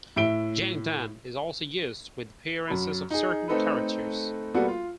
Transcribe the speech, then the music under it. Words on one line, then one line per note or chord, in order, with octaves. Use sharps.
"Jangdan" is also used with the appearances of certain characters.
A2 E5 D7 G7
F#2 B5
D#4 G#4
A3 C4 D#4 A4 B4
G3 A#3 B3 F#4 A4
F4